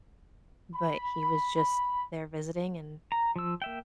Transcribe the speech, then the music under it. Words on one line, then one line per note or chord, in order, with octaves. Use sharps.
but he was just there visiting and
B5
A#5
F3 E6
A#3 E5 G5